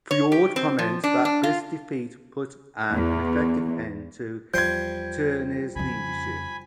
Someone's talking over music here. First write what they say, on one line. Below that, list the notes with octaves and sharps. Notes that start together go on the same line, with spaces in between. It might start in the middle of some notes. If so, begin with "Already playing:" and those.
Foord comments that "this defeat put an effective end to Tierney's leadership".
C#5
G4
C4
F3
D4
D4
F4
E2
E2 F3 G3 C6 G6 G#6
F2 C#3 G#5 B5